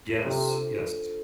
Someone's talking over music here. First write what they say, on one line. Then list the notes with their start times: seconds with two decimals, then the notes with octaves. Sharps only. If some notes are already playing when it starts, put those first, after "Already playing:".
Yes, yes.
0.24 C3 D4 F4 A4 C5